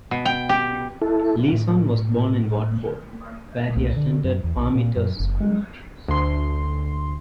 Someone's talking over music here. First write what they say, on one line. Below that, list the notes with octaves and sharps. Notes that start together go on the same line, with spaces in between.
Leeson was born in Watford, where he attended Parmiter's School.
B2
G5
G4
E4 A4
A2
C2
D3
F#2
E2
B1
A#2
F#2
F#1
G#3
D2 C6